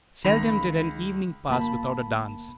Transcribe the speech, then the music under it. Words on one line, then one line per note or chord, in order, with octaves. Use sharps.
Seldom did an evening pass without a dance.
C#2 D#3 B5 A#6 F7
G1 A#3 A5 B5